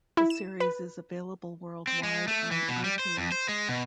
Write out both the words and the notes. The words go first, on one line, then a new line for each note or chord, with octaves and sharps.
The series is available worldwide on iTunes.
E4
E7
B4
C4
G#3
A3
E3
B2
G3
C5
F2
C5
G#3
B2